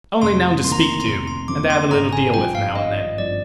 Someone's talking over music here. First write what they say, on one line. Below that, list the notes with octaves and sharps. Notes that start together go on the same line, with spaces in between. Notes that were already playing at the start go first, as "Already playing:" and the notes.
Only known to speak to, and to have a little deal with now and then.
F1 C6
F2 D#3 A#3 C6
A#5
C6
C6
F1 A#5
C6
F2 D#3 A#3 D6
C6
G#1 A#5
G#5
G2 F3 C4 F4 G5
F5
G#1 D#5
G2 F3 C4 F4 D5